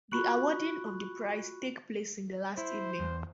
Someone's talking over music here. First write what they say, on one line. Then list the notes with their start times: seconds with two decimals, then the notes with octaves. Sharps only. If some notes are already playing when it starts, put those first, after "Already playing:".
The awarding of the prize take place in the last evening.
0.11 F4 F#4 B5 C#6 F#6 F#7
2.58 E4 C5
2.99 E2